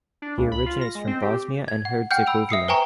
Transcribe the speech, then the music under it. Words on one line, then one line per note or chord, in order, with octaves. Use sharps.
He originates from Bosnia and Herzegovina.
D4
C#2
B5
F4
A#6
G#3
C4
G4
G#6
F#5
F#5 G5 F6 G6
B5 E6 D7 F7
E5 D#6 C7 C#7
B4 C5 G5 G#5 A#5 C#6